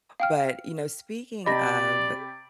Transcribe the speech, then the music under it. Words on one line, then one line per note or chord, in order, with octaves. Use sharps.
But, you know, speaking of,
F5 G5 F6
C3 G4 D5 D#5 B5 A#6